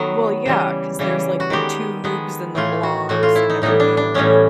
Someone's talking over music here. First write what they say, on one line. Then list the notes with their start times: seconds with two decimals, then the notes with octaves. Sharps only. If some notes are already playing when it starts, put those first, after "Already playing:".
Well, yeah, 'cause there's, like, the tubes, and the blocks, and everything, right?
Already playing: D#3 F#3 B3
0.46 C#3 E3 G3
0.99 C#3 E3 G3
1.40 F#4
1.50 D#3 G#3 B3 G4
2.04 D#3 G#3 B3
2.55 A2 E3 A3 F4
2.83 F#4
3.09 A2 E3 A3 F#4
3.23 F4
3.36 E4
3.50 D#4
3.62 A2 E3 G3 B3 D#4
3.80 D4
3.97 D4
4.14 A2 E3 G3 B3 C#4